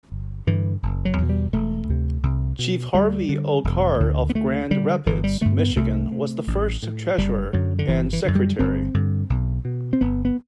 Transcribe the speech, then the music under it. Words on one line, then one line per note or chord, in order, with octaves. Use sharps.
Chief Harvey O. Carr of Grand Rapids, Michigan, was the first treasurer and secretary.
G1
G2 D3 E3
F#1
F#3
E2 B2
G3
E1 A3
D2 C3
C2
B2
D2 G3
D3
E1
D2 D3
B3
D2 A3
D3 G3
G1 E3
G3
G2 D3 A3
B3
C2 A3
C3
A1
A2
F#1 G3
F#2 D3 F#3
D3
G1 E3
E3
F#2 D3
G3
G1 C4
G2 D3
B1
B2
C4
G1 B3
B3